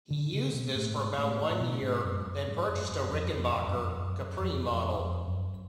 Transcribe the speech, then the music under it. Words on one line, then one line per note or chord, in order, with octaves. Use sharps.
He used this for about one year then purchased a Rickenbacker "Capri" model.
D3
C#3
B2
A2
G#2
A2
A2
A2
B2
G#2
F#2
F#2
G#2
F#2
F#2
F2
F2
F2
F#2
F2
F#2
F2
F2
F2
F#2